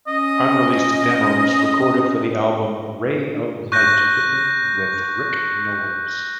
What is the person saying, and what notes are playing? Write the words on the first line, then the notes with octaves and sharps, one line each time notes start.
Unreleased demos recorded for the album "Ray of Light" written with Rick Nowels.
C#4 D#5
C#6 F#6 G6 A#6